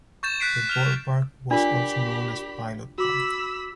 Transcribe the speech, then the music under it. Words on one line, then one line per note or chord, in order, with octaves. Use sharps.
The ballpark was also known as Pilot Park.
C#6 G6 A6 E7
F#6 B6 C7 D7
F6 F7
D4 F4 G4 A#4 D5 B5
F#4 B5 D6 E6 F#7